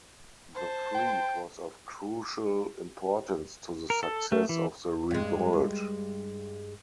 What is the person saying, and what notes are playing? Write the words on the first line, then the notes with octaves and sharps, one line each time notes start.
The fleet was of crucial importance to the success of the revolt.
C5 A5
G5
A#4
A4
A3
E3
G2 G#3